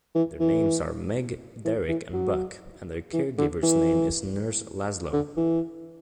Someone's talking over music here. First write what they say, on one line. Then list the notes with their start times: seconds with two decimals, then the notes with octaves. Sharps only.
Their names are Meg, Derrick and Buck and their care-giver's name is Nurse Lazlo.
0.15 E3
0.40 E3
1.65 E3
1.89 E3
2.13 F#3
3.13 E3
3.38 D3
3.63 E3
5.13 D3
5.37 E3